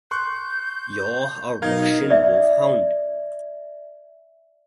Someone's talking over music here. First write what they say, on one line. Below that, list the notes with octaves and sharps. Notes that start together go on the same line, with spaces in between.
You're a Russian wolfhound.
C6 C#6 F#6 G6
B1 D#4 A#4 D#5 F5 G#6
D5 E5